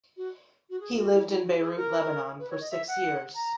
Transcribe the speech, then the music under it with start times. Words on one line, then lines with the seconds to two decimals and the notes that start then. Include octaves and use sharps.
He lived in Beirut, Lebanon, for six years.
0.17 F#4
0.70 F#4
0.80 G#4
0.96 F#4
1.12 E4
1.28 E4
1.44 F#4
1.59 G#4
1.76 A#4
2.39 B4
2.50 C#5
2.61 D#5
2.71 E5
2.88 F#5
3.35 A#5